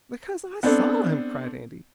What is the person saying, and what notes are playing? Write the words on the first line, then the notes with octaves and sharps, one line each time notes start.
"Because I saw 'em!" cried Andy.
B3 C4 D4 A4